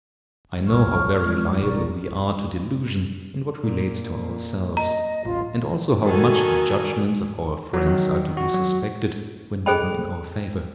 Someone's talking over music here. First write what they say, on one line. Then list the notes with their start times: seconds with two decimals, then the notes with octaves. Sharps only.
I know how very liable we are to delusion in what relates to ourselves, and also how much the judgments of our friends are to be suspected when given in our favor.
0.67 C2 C#5 C#6 F6
1.24 G#3 F4
1.61 F#1 B1 A#4 D5 C#6
3.63 A#2
4.77 D#5 A#5
5.25 D1 A1 F4
6.05 D#3 F#4 A4 G#5
7.74 F#3
7.86 D#3
8.37 F#4
8.54 F#3
9.66 G#4 A4 C5 D#5 G5 B5